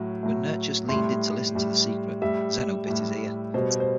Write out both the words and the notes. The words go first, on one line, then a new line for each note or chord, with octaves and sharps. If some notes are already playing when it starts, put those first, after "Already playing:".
When Nearchus leaned in to listen to the secret, Zeno bit his ear.
Already playing: A2 F#3
A2 F#3
A2 G3 C6
A2 G3
A2 G3 E5
A2 G3
B2 G3 C5
C5